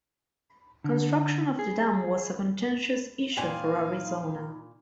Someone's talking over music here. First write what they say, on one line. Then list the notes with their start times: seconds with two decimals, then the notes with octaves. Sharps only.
Construction of the dam was a contentious issue for Arizona.
0.84 D3
1.59 G#4
3.37 A#2 D#4 F5 G5 G#5 C6